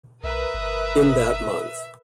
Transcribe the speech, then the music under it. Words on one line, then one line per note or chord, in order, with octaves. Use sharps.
In that month.
B1 A#4 B4 E5 D#6
G1